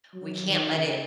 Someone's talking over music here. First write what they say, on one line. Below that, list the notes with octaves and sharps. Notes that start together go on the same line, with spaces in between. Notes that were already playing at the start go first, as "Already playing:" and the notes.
we can't let it
F#3
D#3
C#3